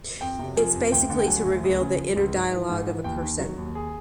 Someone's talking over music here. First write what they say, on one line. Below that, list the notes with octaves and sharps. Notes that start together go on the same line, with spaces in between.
It’s basically to reveal the inner dialog of a person.
F2 G5
C3
F3 G#5
F2
D2 G5
D3
G5
F#3 G#5
D2
C#2
C#3
F3
C#2
G#2
E3
G#2
E3
D#2 G5
D#3
F#3
D#2
G#4